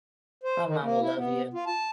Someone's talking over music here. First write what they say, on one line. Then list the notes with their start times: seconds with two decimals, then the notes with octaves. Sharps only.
My mom will love you.
0.43 C5
0.66 D#3
0.83 A#3
1.01 E4
1.17 B3
1.54 F4
1.66 A5